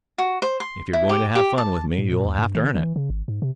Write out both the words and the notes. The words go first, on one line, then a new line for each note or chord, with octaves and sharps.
If you're going to have fun with me you'll have to earn it.
F#4
C5
C6
E4
G4
G4
A5
A2
A#2
D#2
G2
D#3
E3
C#3
G#1
G#2
C3